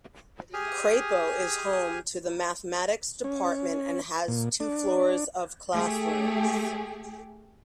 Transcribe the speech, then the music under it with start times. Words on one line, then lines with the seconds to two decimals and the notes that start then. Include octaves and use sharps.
Crapo is home to the Mathematics Department and has two floors of classrooms.
0.54 G4 G#4 G#5 D#6 F6
3.24 C#4
4.28 A#2
4.60 D4
5.73 A3 G4 G#4